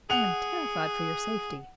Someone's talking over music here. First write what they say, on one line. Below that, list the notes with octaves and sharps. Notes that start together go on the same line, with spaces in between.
I am terrified for your safety.
G#4 F#5 F7